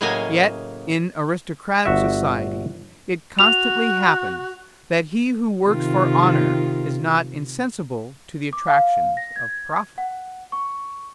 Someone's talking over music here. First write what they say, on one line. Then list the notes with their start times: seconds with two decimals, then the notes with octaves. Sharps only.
Yet in aristocratic society it constantly happens that he who works for honor is not insensible to the attractions of profit.
0.01 A2 C#3 F#3 A#3 D#5 G#5
1.85 G1 F#4 E5
3.39 F#4 F7
5.67 C3 D#3 F4
8.53 D6
8.67 F5
9.17 A#6
9.36 G#6
9.98 F#5
10.52 C#6